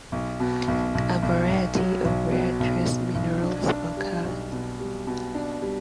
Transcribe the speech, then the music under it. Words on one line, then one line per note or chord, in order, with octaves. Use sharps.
A variety of rare trace minerals occur.
B1
B2
B1
B1
B1
B1
F#3
B1
B2
B1
B1
B1
D4
D4
G3
B1
B2
G3
B2
D4
G3